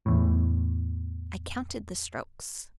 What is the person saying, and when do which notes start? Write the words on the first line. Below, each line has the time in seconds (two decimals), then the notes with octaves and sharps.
"I counted the strokes."
0.06 E2 A2